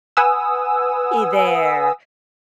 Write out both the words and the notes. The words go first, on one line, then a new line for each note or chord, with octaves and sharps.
Hey there.
B4 F#5 G#5 D#6 E6